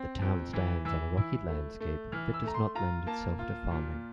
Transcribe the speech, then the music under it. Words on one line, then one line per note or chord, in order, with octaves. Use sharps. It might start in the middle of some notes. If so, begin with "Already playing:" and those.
The town stands on a rocky landscape that does not lend itself to farming.
Already playing: C4
F2
E3
E3 E6
E4
A3
A3
E3 F6
E6
A3 A#5
C6
F4 A#5
A#3 A5
F4
A#2